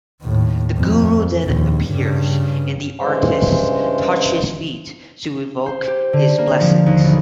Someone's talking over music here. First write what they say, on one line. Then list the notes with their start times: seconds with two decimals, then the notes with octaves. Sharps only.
The 'Guru' then appears and the artistes touch his feet to evoke his blessings.
0.23 D#2 A2
0.77 F2
1.43 A#1 D#2
1.89 G2 C#3
2.99 G2 C#3 E3 G#3 C5
5.66 C5
5.87 G4
6.13 D3
6.38 A#3
6.60 F3
6.86 D#2
7.04 B1